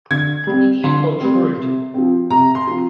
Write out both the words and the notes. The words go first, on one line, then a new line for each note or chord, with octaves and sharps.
You can't go t'rough it.
D3 G#6
G3 C4
D3 C6
G3 C4
C3
F3 C4
C3 A#5
C6
F3 C4